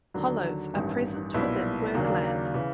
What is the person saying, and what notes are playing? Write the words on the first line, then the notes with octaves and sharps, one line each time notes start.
Hollows are present within Wergeland.
D#2 D3 F#3
A1 G2 D#3
B1 A#2 G3 B3 E4
D#2 C#3 F#3 A#3 D4
C#3 E3